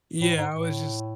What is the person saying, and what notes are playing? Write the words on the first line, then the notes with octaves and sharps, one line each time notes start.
Yeah, I was just
A2
G#2
A2